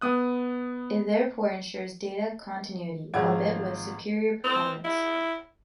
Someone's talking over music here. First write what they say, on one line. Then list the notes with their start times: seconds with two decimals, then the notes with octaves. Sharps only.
It therefore ensures data continuity, albeit with superior performance.
0.01 B3 D#6 F#6
3.14 G#1 F3 F4 G#4 F#5 G#6
4.44 C4
4.84 E4